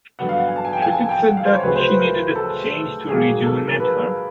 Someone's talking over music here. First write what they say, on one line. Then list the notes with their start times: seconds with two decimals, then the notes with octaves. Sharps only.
Trickett said that she needed a change to rejuvenate her.
0.19 G2 D3 F#3 B3 F#5
0.29 F5
0.38 F#5
0.47 G#5
0.56 A5
0.65 G#5
0.73 G5
0.82 G#5
0.92 A5
1.01 G#5
1.09 G5
1.27 F#5
1.37 F5
1.45 C5
1.55 C#5
1.63 D2 C#3 F#3 B4
1.76 C5
1.87 B4
2.00 A#4
2.36 A4
3.08 G#2 D#3 F#3 A#3 G#4
3.44 A4
3.67 A#4
3.80 B4